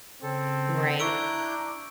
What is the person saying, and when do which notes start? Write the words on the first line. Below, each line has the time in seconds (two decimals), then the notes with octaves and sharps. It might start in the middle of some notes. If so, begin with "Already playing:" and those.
Mm, right.
0.23 C#3 C4 A4
1.00 D4 E4 A#5 C#6 E6 F#6 G6 D7